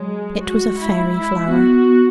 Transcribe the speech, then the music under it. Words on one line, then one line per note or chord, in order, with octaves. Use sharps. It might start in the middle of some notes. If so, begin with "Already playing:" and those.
It was a faery flower.
Already playing: F#3 G#3
F#4
G#3
G#3
E4
E4
B3 F#4
B3
B3